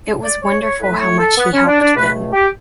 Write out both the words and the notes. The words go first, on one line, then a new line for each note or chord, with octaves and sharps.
It was wonderful how much he helped them.
D5
C#5
C#5
A2 F#3 A3 B4
C#5
A4
B3
C#4
D4
D4
C#2 B2 A3 B4
G4